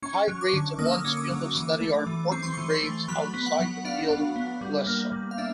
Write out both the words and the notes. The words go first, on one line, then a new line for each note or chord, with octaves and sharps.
High grades in one's field of study are important-grades outside the field less so.
C#4 C#6
F#3
D6
D3
A#3 D#6
E6
D#6
C#4 D#6
D6
F#3
E3 D6
A3
E3
C4 C#6
C6
C#6
E3
C6
A3
F#3 B5
B3
F#5
F#3
D4 F5
F#3
B3
G3
A#3
G3
F5
D4 E5